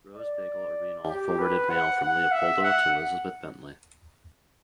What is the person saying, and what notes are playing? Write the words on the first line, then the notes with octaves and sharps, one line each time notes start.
Rose Beigel Arenal forwarded mail from Leopoldo to Elizabeth Bentley.
D5
G4
B4
F#5
F#5
E5
F#5